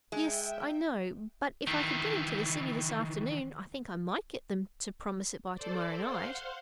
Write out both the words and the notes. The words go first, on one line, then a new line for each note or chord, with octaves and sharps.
"Yes, I know; but if I could get into the city this afternoon, I think I might get them to promise it by to-morrow night."
G#3 E5 G5
D#3 E3
A4 C5 D5
C5 F5 F#5 C6